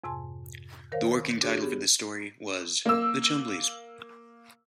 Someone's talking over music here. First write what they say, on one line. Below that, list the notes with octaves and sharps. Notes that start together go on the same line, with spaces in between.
The working title for this story was "The Chumblies".
F2 G#2 C3 G#5 A5 C6
D#3 A#4 C5 C#5 F5
D4 F#4 G#4 C#5
B3 G4 G#4
A#3 E6